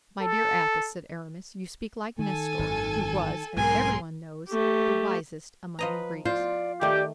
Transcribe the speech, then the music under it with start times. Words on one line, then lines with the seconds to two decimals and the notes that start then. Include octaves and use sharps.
"My dear Athos," said Aramis, "you speak like Nestor, who was, as everyone knows, the wisest among the Greeks."
0.21 A4
2.19 D#3 A4 G#5
2.59 G#1 F#2
3.57 B1 G#2 G#4 A#4 G#5 C6
4.49 A3 G4
5.79 F3 B4 D#5 A#5
6.25 F4 C5 D5
6.81 D#3 A3 G4 D5